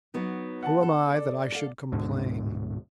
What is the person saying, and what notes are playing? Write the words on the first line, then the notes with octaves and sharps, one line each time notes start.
Who am I that I should complain?
F#3 B3 D#4
F#5 A5
A4
D5
A4 F5
D1 G#2 B2 D3